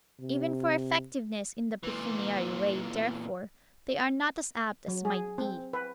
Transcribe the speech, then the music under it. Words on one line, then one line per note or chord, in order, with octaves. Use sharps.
Even for effectiveness in the pecuniary way, therefore, they are not as apt as might be.
C3
A#2 E3
F#3
G#4
C4
B4